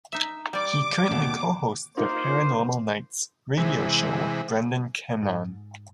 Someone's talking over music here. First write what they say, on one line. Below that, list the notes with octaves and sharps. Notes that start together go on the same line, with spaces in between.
He currently co-hosts the "Paranormal Nights" radio show with Brendan Keenan.
D#4 E5
G3 D5 D6
D#2 G#2 B2 D3 C4
A#3 D#4 F4 A#4 C5 C6
C3 E3 G#3
G#2